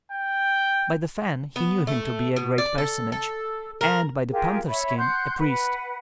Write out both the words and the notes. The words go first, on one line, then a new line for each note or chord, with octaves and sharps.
By the fan he knew him to be a great personage, and by the panther skin, a priest.
G5
B3
A3
B2
D5
A4
A4
A#4
F4 G4 G#4 A#4
C#5 E5 B5
F#5 C6 F#6 G6
B4 F#5